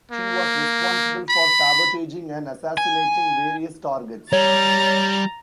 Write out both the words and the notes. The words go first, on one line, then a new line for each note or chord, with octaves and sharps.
She was responsible for sabotaging and assassinating various targets.
A#3
B5
G#5
G3 C#5 A#5 A6